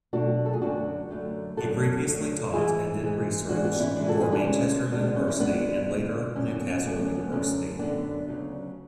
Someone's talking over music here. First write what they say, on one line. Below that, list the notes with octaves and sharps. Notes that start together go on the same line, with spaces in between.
He previously taught and did research for Manchester University and later Newcastle University.
B2 F#3 A3 D4 F#4
A4
G#4
F#2 D3 F#3 A3 D4 F#4
F#2 D3 F#3 A3
F#2 D3 F#3 A3 F#4 A4
F#2 D3 F#3 A3
G#2 E3 G#3 E4 G#4
G#2 E3 G#3
G#2 E3 G#3 D4 F#4
B3 D4
C#4 E4
G#2 E3 G#3 D4 F#4
F#4 A4
E4 G#4
D4 F#4
D2 D3 G#3 C#4 E4
D2 D3 G#3 B3 D4
B3
C#4
C#4 E4
D2 D3 G#3 B3 D4
D2 D3 G#3
F#2 D3 F#3 A3 C#4
B3
C#4
F#2 D3 F#3 A3 B3
C#4
B3
F#2 D3 F#3 A3 C#4
F#2 D3 F#3 A3 B3 D4
D2 C#3 F#3